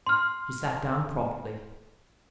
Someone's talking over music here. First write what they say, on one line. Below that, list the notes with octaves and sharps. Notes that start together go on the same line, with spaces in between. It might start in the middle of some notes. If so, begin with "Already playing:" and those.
She sat down promptly.
C6 F6